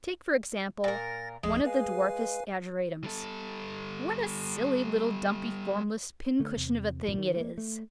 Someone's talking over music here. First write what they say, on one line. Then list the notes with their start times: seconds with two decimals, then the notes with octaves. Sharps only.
Take, for example, one of the dwarfest Ageratums: what a silly little dumpy, formless, pincushion of a thing it is!
0.84 A#2 A#4 A6 A#6
1.43 G1 E2 F3 G#3
1.65 B4 F5 G#5
3.04 G3 A4
6.40 D3 A3
6.57 E2 C3
7.07 E1 A1 F#2 A#2
7.18 D#3
7.36 A3 A#3
7.58 A3